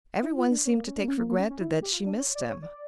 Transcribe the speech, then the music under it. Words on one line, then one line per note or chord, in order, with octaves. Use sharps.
Every one seemed to take for granted that she missed him.
E4
F4
D4
C#4
A#3
C#4
D4
A#3
C#4
A#3
A#3
C#4
C#4
E4
G4
F4
D4
C#5
D5
C#5
D5